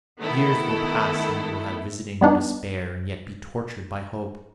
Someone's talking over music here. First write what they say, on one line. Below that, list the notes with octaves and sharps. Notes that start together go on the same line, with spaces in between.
Years will pass, and you will have visitings of despair and yet be tortured by hope.
D#3 A3 B3 E4 A4
G3 B3 D4 D#4